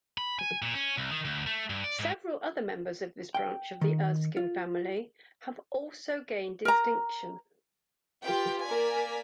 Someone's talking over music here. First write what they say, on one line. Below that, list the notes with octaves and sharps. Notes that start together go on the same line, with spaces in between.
Several other members of this branch of the Erskine family have also gained distinction.
B5
G#5
A#2
C#4
C2
D#3
D2
A3
G2
D5
G#2
G5
D#3
F4
A#4 A#5
F4 G4 B4 G5
A#3 A#4 D5 G#5 B6